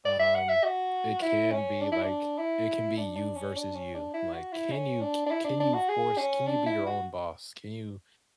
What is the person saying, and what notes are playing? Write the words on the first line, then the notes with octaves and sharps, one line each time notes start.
um, it can be, like, it can be you versus you, like, can you ca can you force can you be your own boss, can you
D5
E5
F#5
E5
F#4
E4
C#4
D4
E4
D4
E4
D4
D4
C#4
D4
C#4
D4
E4
F#4
E4
C#4
D4
D4
E4
D4
D4
F#4
G#4
C#4
D4
E4
F#4